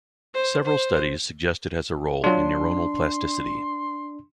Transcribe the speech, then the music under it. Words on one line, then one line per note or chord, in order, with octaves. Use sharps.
Several studies suggest it has a role in neuronal plasticity.
C5
C5
F#3 D4 F4 C6